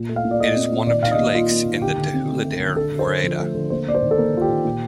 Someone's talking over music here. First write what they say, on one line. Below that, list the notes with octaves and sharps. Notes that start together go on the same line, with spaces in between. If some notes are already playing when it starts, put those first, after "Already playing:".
It is one of two lakes in the Tehuledere woreda.
Already playing: A#2
A3
F5
A#2
D5
A3 D#5
C4
A#2
D#3 D5
D#3 F5
D#5
A#3
A#3 F4
A#3
D#3
D3 G4
D3
C4
A3
A3
D3
D3 A4
D3
C5
D3
F3
A3
D3
A#3 C5
A#3 D5
C5
D#3
A4
A#3 A#4
D#3 F4
G4
D#3
A#2